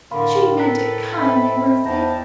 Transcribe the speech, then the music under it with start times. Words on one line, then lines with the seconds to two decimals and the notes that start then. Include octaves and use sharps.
She meant it kindly, Ruthie.
0.11 A2 D3 A#4 F5 B5 C6
0.60 A4 B4 A#5 F#6 B6
1.18 C4 D#5 E5 B5
1.85 E2 C5 G5 A5 A#5